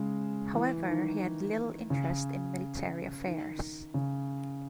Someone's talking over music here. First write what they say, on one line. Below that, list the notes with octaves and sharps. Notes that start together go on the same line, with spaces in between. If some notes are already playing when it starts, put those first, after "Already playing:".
However, he had little interest in military affairs.
Already playing: C#3 G#3
E3
D#3
C#3
D#3
C#3